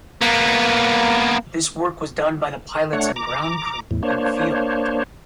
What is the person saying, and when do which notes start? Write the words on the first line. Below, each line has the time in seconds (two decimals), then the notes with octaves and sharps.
This work was done by the pilots and ground crew in the field.
0.22 A#3 B3
2.93 A3 D4 C#5 F#5
3.16 A#5 D6
3.91 E2 A2
4.03 A#3 D4 C5 C#5